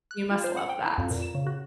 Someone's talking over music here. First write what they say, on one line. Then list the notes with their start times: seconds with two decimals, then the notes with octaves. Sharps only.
You must love that.
0.11 F#6
0.31 F4
0.44 C5
0.57 F#5
0.69 G5
0.85 E4
0.98 F2
1.11 A#2
1.22 E7
1.35 C#3
1.47 F#4